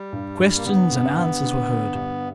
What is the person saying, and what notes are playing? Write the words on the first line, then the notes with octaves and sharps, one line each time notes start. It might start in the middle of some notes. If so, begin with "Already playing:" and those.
Questions and answers were heard.
Already playing: G3
G2
G2
A#3
D3 B3
G2
D3
D3
D3
G2